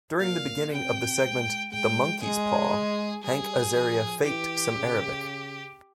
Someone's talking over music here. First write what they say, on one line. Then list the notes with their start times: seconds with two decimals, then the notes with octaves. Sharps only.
During the beginning of the segment "The Monkey's Paw", Hank Azaria faked some Arabic.
0.20 A#2 F5
0.71 C3 G5
1.21 G#3
1.72 G#3 G5
2.23 G#3 G#4
3.23 G3 G#4
3.73 F3
4.24 E3 G4
4.75 C#3